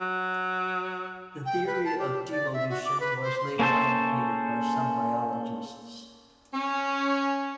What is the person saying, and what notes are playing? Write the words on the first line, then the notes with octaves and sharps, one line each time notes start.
The theory of devolution, was later advocated by some biologists.
F#3
G5
B4
A5
G4
D5
E5
F#4
D6
B4
C5
C6
A#3 C#4 G#4 A4 C5
C#4